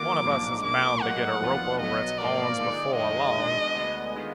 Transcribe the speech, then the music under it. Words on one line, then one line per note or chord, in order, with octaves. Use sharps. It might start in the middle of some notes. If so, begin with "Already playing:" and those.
One of us is bound to get a rope over its horns before long.
Already playing: D#3 F#3 A#3 F4 D6
A#1 G#2 F3 A#3 D4
B1 B2 A#3 D6
G#2 F#3 A#3 D#4 F#5
D#2 D3 F3 B3 F4
B1 B2 F#3 B3 D#5
G#2 F3 A#3 F4 A#4 D5
D3 G#3 D#4
F2 D#3 G#3 D#5
B2 G#3 D4
D2 D3 G#3 B3
D#3 G#3 B3 F4